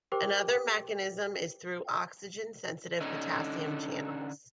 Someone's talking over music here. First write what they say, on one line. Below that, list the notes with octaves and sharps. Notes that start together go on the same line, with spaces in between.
Another mechanism is through oxygen sensitive potassium channels.
G4 A#4 C5 G5 D6
D3 C#4 D#4